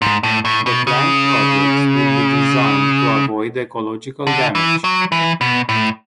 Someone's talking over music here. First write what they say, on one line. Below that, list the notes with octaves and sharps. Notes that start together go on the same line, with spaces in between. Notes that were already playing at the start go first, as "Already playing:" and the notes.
The planned projects will be designed to avoid ecological damage.
G#2
A2
A2
B2
C#3
D3
E3
F#3
E3
B2
A2